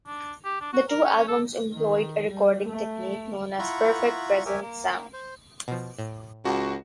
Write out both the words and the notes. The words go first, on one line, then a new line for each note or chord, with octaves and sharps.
The two albums employed a recording technique known as Perfect Presence Sound.
D4
G4
D4
F#4
A#4
C#4
A4
D#3
G3
A3
E4 F4 F#5 A#5 B5 C#6
G4 A#4 C#5 E5 G#5
A#3
C5
B2 F3
A2
C#2 F#4